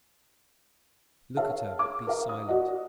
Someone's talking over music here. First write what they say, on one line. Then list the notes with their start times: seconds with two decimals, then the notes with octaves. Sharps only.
Look at her, but be silent.
1.37 G#4 A#4 C#5 E5 F5 A5
1.79 D6
2.07 A#4 B4 F5
2.29 D#6
2.47 F#4 D5 D#5 F#5